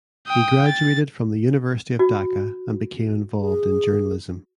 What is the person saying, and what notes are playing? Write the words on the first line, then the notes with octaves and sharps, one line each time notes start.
He graduated from the University of Dhaka and became involved in journalism.
G5 D#6
A6
F#4
G#4